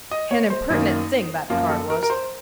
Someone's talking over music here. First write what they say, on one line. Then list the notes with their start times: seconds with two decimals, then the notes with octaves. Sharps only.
An impertinent thing, that card was.
0.11 D#5
0.31 C#5
0.50 C5
0.70 F#2 D#3 A#3 D#4
1.50 F#2 F3 A#3 F4
1.70 A4
1.90 A#4
2.03 A#4
2.10 C5